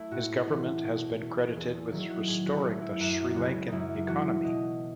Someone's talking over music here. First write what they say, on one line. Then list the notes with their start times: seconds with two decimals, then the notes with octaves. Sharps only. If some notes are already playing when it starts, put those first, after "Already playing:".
His government has been credited with restoring the Sri Lankan economy.
Already playing: A3 E4
0.11 A2 F#4
0.47 E3 A3
0.84 B2
1.20 A3
1.56 E2 G#4
1.74 A4
1.92 D#3 F#3 A3 E4
2.10 F#4
2.28 A2 G#4
2.46 F#4
2.64 F#3 A3 E4
2.82 E4
3.00 F#2 F#4
3.36 C#3 G#3 F#4
3.68 F#2 D#4 E4
4.08 E3 A3 F#4
4.44 B2 D#5